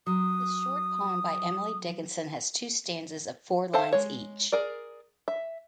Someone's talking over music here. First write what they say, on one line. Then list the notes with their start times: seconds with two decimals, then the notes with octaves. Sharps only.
This short poem by Emily Dickinson has two stanzas of four lines each.
0.07 F#3 D#6
3.73 A4 C5 E5 F5 A5
3.93 G#3 C#5
4.52 G#4 A#4 D5
5.28 E5